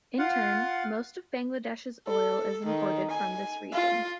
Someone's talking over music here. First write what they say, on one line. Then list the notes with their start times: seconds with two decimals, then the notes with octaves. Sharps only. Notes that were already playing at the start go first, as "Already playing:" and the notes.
In turn, most of Bangladesh's oil is imported from this region.
0.19 F4 F5 F#5
2.07 A4
2.66 D#3
3.10 G#5
3.73 F4